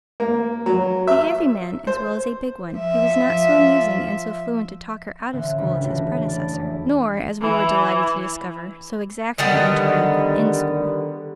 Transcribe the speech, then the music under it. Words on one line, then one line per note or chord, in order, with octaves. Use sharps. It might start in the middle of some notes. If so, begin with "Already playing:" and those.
A heavy man as well as a big one, he was not so amusing and so fluent a talker out of school as his predecessor, nor, as we were delighted to discover, so exacting and tyrannical in school.
A#3
F#3
E5
C5
F3 E5
A1 D3 E3 C5 E5 F#6
E1 C#2 E3 B4 B5 B6
A2 E3 A3 D4 F#4 G4
D5 A5 B5 F6
F1 E2
E3
D3 D#3 G3 B3